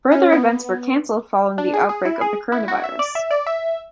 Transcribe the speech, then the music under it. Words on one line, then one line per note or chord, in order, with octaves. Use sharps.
Further events were cancelled following the outbreak of the coronavirus.
C#4
B3
D4
G#4
G#4
E4
G#4
E4
F#4
E5
D5
E5
D5
E5